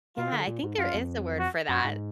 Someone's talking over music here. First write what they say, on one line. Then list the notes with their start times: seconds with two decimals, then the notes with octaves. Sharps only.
Yeah. I think there is a word for that.
0.17 B2 F4
0.32 D3
0.48 A#2
0.63 G#2
0.78 F#2 F4
0.94 F2
1.39 F#4
1.69 F#2 F#4
1.85 G#2